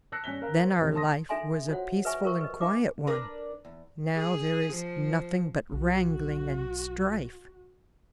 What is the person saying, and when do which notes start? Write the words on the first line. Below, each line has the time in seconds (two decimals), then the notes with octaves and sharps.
Then our life was a peaceful and quiet one; now there is nothing but wrangling and strife.
0.12 A5 E6 F#6 A#6 C7 C#7
0.24 G2 C#4 G#5 F#6 B6 G7
0.42 A#4 F5 A#5
0.64 C5
0.79 E1 A1 C3
0.95 A5 C6 D#6 A#6
1.29 D4 A4 E5 G#5 C6
1.69 F4 F#4 C5 C#5 F#5
2.05 B4 E5 G#5 C#6
2.24 F4 A#4 C5 C#6
2.41 B4 D#5
2.61 D4 E5 D6
3.07 D4 A#4 B4
3.65 E2
4.15 G#4
4.73 F3
5.72 B1 F#4